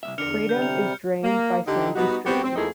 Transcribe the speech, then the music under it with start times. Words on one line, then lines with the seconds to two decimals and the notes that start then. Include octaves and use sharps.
Freedom is drained by Sandy Stream.
0.03 C2 G2 E5
0.18 E2 D3 D4 A#4 F6 C#7 F7
0.49 C3 G3 G6
0.62 F7
1.24 A#3
1.67 D3 D#4 G4
1.95 G3 B3 D#4 F#4
2.26 B3 C4 F#4 G4
2.44 C4
2.56 F2 A3 A#3 D#4 E4 G#4